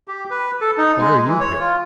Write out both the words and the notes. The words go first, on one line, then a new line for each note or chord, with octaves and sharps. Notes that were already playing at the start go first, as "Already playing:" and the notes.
"Why are you here?"
G4
B4
A4
D#4
G#3
E3
C#5
F4